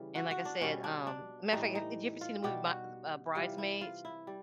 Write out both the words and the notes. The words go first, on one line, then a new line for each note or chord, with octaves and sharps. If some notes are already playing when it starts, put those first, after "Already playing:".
and like I said, um matter of fact, have did you ever see the movie, My Th uh, Bridesmaids?
Already playing: C#3 E3 G3
F#4
F#4
D4
B2 G3 C#4
D4
D4
A2 E3 G3 D#4
D#4
F4
B2 G3 G4
F#4
C3 E3 G3 F4
E4
F4
E4
G3